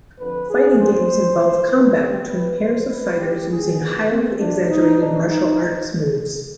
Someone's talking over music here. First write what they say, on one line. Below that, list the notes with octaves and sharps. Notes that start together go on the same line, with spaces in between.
Fighting games involve combat between pairs of fighters using highly exaggerated martial arts moves.
F2 D3 F3 B4
G#4
D#2 D#3 C5
C2 C3 F3
B4
D2 C3 F3 G4
B4
D2 D3 F3 C5
B4
D2 C3 F3 G4
G#4
D#2 D3 F3 B3
C4
B1 B2 D4
D#4
B1 B2 D4
D#4